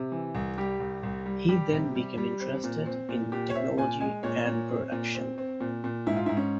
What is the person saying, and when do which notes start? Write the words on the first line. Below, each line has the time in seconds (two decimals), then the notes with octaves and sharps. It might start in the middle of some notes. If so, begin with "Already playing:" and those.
He then became interested in technology and production.
Already playing: C3
0.12 E3
0.35 C2
0.58 G3 G4
0.80 C2
1.03 C2
1.26 G3
1.48 G3 G4
1.72 C3
1.95 G3
2.18 G3
2.40 C4
2.64 A#2
2.86 C4
3.09 A#2
3.32 A#2 G4
3.50 C#5
3.54 C4 E5
3.78 A#2 G#5
4.00 G#3 G#5
4.23 A#2 C#5
4.46 A#2
4.69 C4
4.92 A#2
5.15 C4
5.38 C4
5.60 A#2
5.84 A#2
6.07 G#2 E4
6.17 F4
6.26 E4
6.29 G#2
6.37 C#4